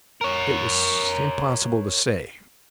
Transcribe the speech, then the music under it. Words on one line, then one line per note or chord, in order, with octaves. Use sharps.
It was impossible to say.
A#4 C#5